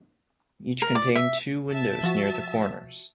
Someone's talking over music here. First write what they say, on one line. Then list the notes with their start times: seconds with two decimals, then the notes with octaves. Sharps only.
Each contains two windows near the corners.
0.82 A#4
0.95 D5
1.15 E5
1.71 E5 A5
2.03 F3 F#4